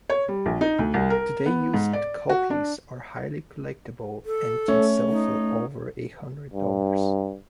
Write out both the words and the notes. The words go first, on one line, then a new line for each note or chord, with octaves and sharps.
Today used copies are highly collectible, and can sell for over a hundred dollars.
C#5
G3
A#1
D#4
D2
C2
A#4
B3
G#2
D5
F#4
D4
A4
A3 C#4
D#4
G2